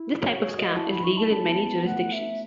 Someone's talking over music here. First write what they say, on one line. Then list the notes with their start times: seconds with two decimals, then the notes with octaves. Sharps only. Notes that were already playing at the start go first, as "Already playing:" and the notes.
This type of scam is legal in many jurisdictions.
Already playing: E4
0.22 F#4 C#5
0.40 G#4 C#5
0.58 F#4 D#5
0.76 E4 A5
0.91 B5
1.04 D#4 C#6
1.17 A5
1.30 C#4 A5
1.49 B3
1.67 B3
1.85 A3 F#5
2.13 E5